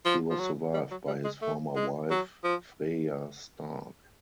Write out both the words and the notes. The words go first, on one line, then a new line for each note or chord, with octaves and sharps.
He was survived by his former wife, Freya Stark.
F3
F3
F#3
G3
F#3
G3
G#3
A3
G#3
F#3
F3